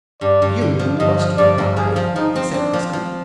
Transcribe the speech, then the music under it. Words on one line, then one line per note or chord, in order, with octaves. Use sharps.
"You must ride," he said, briskly.
G2 D5
G2
D3
F3
G2 D#5
F3
G2 D5
G2
F3 G#4
F3
F3 D#4
C4
C4 D4
F3
F3